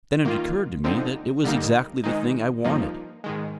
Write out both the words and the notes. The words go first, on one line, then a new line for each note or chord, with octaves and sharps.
Then it occurred to me that it was exactly the thing I wanted.
D#3 A#3 F4
D3 F3 C4 D#4
D3 G3 A#3 D#4
G#2 D#3 G#3 D#4
G2 F3 A#3 D#4
G#2 D#3 G#3